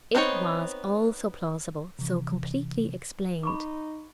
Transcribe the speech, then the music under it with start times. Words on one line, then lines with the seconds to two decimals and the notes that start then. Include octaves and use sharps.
It was all so plausible--so completely explained.
0.15 B3 C4 D4 D#4 C#5
1.99 C3 E3
3.43 D#4 B5 C#6 D6